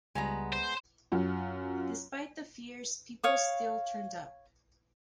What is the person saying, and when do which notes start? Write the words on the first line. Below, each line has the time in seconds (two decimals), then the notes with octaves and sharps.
Despite the fears people still turned up.
0.15 C#2 G3 G#3 B3 A#5
0.53 C5
1.12 F#2 F4
3.24 C#5 F5 D#6